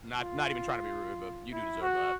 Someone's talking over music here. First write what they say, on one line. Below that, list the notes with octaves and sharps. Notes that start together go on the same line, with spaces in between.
Not not even trying to be rude, but you do deserve that."
F4
E4
F#4